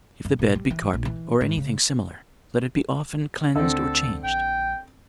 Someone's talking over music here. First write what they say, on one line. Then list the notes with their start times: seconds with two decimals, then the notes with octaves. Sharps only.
If the bed be carpet, or anything similar, let it be often cleansed or changed.
0.25 G2
0.39 A#2
0.55 G3
0.70 E3
0.93 A#1
1.05 E3
1.41 G#2
1.57 C#3
3.56 D2 D3 C4 A4
4.24 A#1 G5